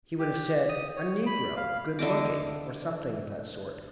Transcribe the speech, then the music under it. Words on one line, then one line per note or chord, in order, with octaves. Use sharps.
He would have said, 'A negro, good-looking,' or something of that sort.
G4
D#6
C#5
B5
F5
D3 E4 D#5 D6